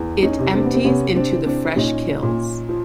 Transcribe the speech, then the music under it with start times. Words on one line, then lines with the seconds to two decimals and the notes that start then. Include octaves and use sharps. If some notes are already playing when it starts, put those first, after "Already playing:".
It empties into the Fresh Kills.
Already playing: E2
0.23 C#4 D#4
0.39 C3
0.54 C4 D4
0.64 B3
0.74 C4
0.84 C3 B3 C#4
1.15 C4 D4
1.31 E3
1.46 C4 D4
1.76 A#2 C#4 D#4
2.23 A#2
2.69 F3